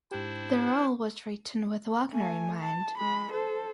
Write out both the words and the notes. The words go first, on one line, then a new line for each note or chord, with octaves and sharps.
The role was written with Wagner in mind.
G#2 D4 E4 G4 C5
A3 G#5
A5
G#3 B5
A4 C5